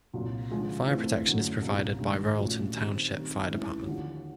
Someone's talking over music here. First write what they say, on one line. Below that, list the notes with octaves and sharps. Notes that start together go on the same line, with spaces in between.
Fire protection is provided by Royalton Township Fire Department.
C2 A#2 F#3
D3 F3 G#3 C#4 F4
E3 A3 C4 F4
F#2 D3 F#3 A3
C2 A#2 G3
G2 D#3 G#3
A#2 F3 A3 C#4 F#4
D#3 G3 C4
D#3 G3 C4
E3 G#3 C#4 E4
D#2 D3 F3